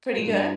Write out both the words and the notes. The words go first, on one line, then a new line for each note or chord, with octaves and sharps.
pretty good?
A#2
G2